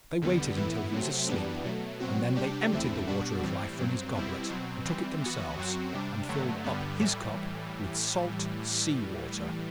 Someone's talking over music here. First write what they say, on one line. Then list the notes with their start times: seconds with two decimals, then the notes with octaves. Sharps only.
They waited till he was asleep, and then they emptied the Water of Life from his goblet and took it themselves, and filled up his cup with salt sea water.
0.22 E2 D3 G3 B3
0.57 A2 E3 B3 E4
0.93 C3 F#3 A3 C4
1.29 F#2 E3 G3 B3 D4
1.64 B2 F#3 A3
2.00 B2 F#3 C4 F#4
2.36 C3 G3 D4 G4
2.72 E2 D3 A3 C4 E4
3.07 B2 G3 D4 F#4
3.43 A2 E3 G3 C4
3.79 G2 F#3 C4
4.15 B2 G3 C4 E4
4.50 B2 F#3 C4
4.85 E3 G3 C4
5.21 E3 B3 F#4
5.57 F#2 F#3 C4 F#4
5.93 C3 G3 D4
6.29 G2 D3 F#3 A3
6.64 G2 D3 G3 B3
7.01 A2 E3 G3